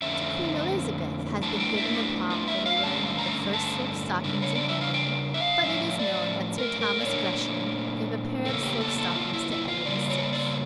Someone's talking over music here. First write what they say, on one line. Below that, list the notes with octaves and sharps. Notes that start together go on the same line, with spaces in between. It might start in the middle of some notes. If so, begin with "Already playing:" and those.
To Queen Elizabeth has been given the palm for the wearing of the first silk stockings in England, but it is known that Sir Thomas Gresham gave a pair of silk stockings to Edward VI.
F2 D3 A3 C#4 E5
E2 E3 A3 D4 A5
G5
E5
G4
F4
E5
F5
G2 D3 A3 C#4 A5
A#5
A5
C#3 G3 D4
C#5
D5
E5
F5
G5
E5
F5
A2 F3 C#4 E5
D5
A#4
A#4
D5
A#2 A3 D4 C#5
E2 C#3 A#3 C#4 A4
G4
A4
A4
F4
E4
E4
F4
C#3 G3 A#3 D5
C#5
D5